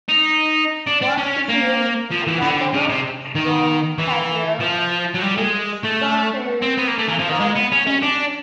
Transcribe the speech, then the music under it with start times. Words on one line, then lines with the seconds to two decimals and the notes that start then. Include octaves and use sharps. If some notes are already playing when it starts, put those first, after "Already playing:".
One species, the Guadalupe storm petrel, is thought to have gone extinct.
0.09 D#4
0.87 D4
1.02 D4
1.18 C#4
1.49 A#3
2.11 F3
2.27 E3
2.42 D3
2.74 C#3
2.89 C3
3.35 D#3
3.98 E3
4.60 F3
5.14 F#3
5.22 G3
5.38 G#3
5.84 A3
6.62 C4
6.78 B3
6.88 A#3
6.99 A3
7.09 E3
7.20 F3
7.30 D#3
7.40 G#3
7.55 B3
7.72 C#4
7.86 C#4
8.02 D4